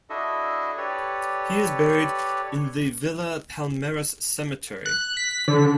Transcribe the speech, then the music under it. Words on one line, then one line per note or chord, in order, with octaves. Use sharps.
He is buried in the Villa Palmeras Cemetery.
D4 E4 F#4 A4 D#5 E5
G4 A4 B4 C#5 D5
F#6
B6
D3